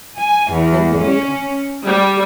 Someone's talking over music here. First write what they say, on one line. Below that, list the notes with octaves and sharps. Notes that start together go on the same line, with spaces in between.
Then he made off.
G#5
E2
C#4
G3